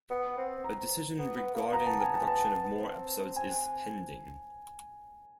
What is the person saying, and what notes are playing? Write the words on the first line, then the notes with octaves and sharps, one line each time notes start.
A decision regarding the production of more episodes is pending.
B3
C4
A#5
B3
B3
A#3
B3 A#5
A5
G#5
A5
B3 A5
B3
C4
C4 G#5